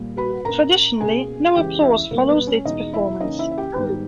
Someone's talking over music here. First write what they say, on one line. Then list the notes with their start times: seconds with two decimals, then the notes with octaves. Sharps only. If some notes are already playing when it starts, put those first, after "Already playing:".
Traditionally, no applause follows its performance.
Already playing: A#2 G3 A#3
0.17 B4 B5
0.45 A#2 A#3 C#4 A#4 A#5
1.00 B2 A#3 C#4 G#4 G#5
1.55 E2 C#3 E3 G#3 C#4 G4 G5
1.82 E4 E5
2.11 B2 G3 A#3 B3 A#4
2.28 B3 B4
2.47 C#4 C#5
2.65 E2 B2 G#3 D#4 D#5
2.93 E4 E5
3.21 C#3 E3 A#3 C#4 D#4 D#5
3.39 E4 E5
3.51 E5
3.58 G4 G5
3.76 G#2 D#3 G3 B3